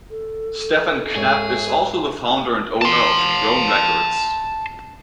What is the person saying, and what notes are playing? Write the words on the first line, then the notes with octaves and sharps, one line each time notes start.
Stefan Knappe is also the founder and owner of Drone Records.
A4
G#2 G#4 C#5 E5
A5 C6